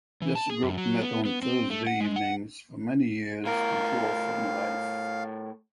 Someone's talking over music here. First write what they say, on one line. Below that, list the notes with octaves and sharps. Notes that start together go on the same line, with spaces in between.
This group met on Thursday evenings for many years to draw from life.
E3
A5
G#4
F#2
F#3
B3
B3
C4
A3
F#5
G#3
F#5
A2 A#4 F5